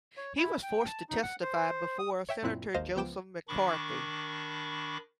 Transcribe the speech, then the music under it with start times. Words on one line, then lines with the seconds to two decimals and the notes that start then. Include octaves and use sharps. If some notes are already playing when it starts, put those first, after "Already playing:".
He was forced to testify before Senator Joseph McCarthy.
0.17 C#5
0.37 E4
0.63 G5
0.87 A5
1.09 D#4
1.23 F#5
1.42 C5
1.99 D#6
2.29 C#5 E5 G5 B6
2.43 F#2 A#2 C4 E4 F#6
2.74 G#1 D#2 C5 D#5 F5 A#6
2.95 C#2 F3 B3 G5 D6 E7
3.48 D#3 D4 B5 C#6 D6